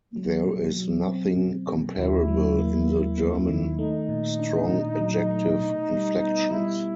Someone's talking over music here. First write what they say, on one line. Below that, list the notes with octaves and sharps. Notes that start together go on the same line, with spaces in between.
There is nothing comparable in the German strong adjective inflections.
F#3
B2
F#3
C4
B2
B2
D#2 E4
F#3
A#3
A#3
A#3
D#3
A3 D#4
A#2
D4
A#2
F#3
A3
B2
G3
B3
G3 E4